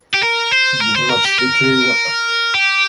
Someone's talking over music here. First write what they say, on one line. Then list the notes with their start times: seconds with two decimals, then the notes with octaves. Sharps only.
She did much literary work.
0.14 G4
0.23 A#4
0.52 C5
0.81 A#4
0.95 C5
1.09 A#4
1.25 G4
1.38 A#4
2.54 G4